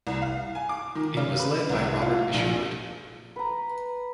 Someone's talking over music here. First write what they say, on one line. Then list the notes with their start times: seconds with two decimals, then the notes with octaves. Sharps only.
It was led by Robert Isherwood.
0.07 C2
0.22 F5
0.55 G#5
0.69 D6
0.95 D#3
1.17 C#3
1.40 B4
1.69 C2
2.02 F4
2.34 A#1
3.36 B4 A#5